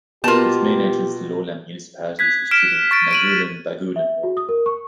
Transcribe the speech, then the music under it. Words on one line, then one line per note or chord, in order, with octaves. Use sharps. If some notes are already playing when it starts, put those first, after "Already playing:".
Its main entrance to lowland municipalities is through the Naguilian-Bagulin Road.
B2 A#3 B3 F4 G4 A#4 A5
F#6 G#6 B6
F6 B6 D7 E7
C#6 A6 D7
D7 D#7 F#7
E5
F#4
D#6
A#4
C#6